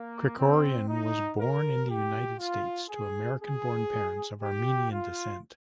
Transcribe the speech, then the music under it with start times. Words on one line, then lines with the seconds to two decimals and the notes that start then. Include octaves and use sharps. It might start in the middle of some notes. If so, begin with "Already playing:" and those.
Krikorian was born in the United States to American-born parents of Armenian descent.
Already playing: A#3
0.38 C4
0.88 D#4
1.39 A#4
1.90 G4
2.40 F4
2.89 G#4
3.41 G#4
4.42 G4
4.91 F4